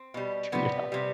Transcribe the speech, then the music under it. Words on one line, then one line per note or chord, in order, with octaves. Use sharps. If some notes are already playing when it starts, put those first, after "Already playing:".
Treat yourself.
Already playing: C4
B2 G3
C3 G3 B3
C3 G3